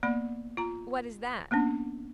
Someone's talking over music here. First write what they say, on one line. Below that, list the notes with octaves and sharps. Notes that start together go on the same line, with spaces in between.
"What is that?"
A#3 B3 D5 B5
F4 A#5
A#3 B3 C#4 D4